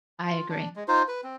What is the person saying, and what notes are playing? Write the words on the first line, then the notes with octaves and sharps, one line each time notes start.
I agree.
F4
D4
G#3
D#4 F4 C5
B4
C4